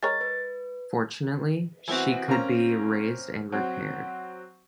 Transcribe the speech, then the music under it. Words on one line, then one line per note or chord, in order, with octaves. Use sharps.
Fortunately, she could be raised and repaired.
G#3 A#4 C#5 A6
B4
E3 B3 C4 F#4
A#3 C4 C#4 A#5
F#3 C4